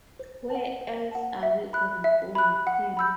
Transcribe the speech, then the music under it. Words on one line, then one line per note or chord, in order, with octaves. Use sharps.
Where else are we gonna go with him?
C5
F#5 A5
C5
F#5 A5
E5
B5 F#6
E5
B5 F#6
F#5
B5 E6 G6